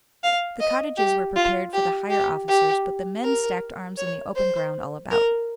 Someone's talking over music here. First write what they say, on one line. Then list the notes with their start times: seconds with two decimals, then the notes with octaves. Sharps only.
The cottages were prepared for the higher officers, but the men stacked arms in the open ground all about.
0.23 F5
0.61 D#5
0.98 G4
1.35 F4
1.73 G4
2.10 G4
2.48 G4
3.23 A#4
3.98 C#5
4.36 C5
5.11 A#4